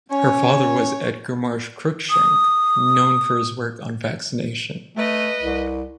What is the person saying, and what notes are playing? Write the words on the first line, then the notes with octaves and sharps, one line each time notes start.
Her father was Edgar Marsh Crookshank known for his work on vaccination.
C#4 C#5
D#6
A3 B4 D#5
C2